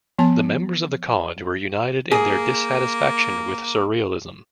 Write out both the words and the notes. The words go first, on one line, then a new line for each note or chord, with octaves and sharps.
The members of the College were united in their dissatisfaction with surrealism.
F3 B3 A5
A#3 G#4